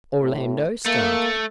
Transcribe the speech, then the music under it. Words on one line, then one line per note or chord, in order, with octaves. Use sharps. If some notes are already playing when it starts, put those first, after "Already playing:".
Orlando started.
A2
A3 A#3